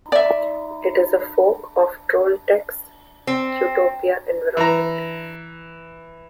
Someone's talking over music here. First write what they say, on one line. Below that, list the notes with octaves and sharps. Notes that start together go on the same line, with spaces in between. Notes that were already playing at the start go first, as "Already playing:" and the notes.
It is a fork of Trolltech's Qtopia environment.
D5 E5
C4
E3 A#5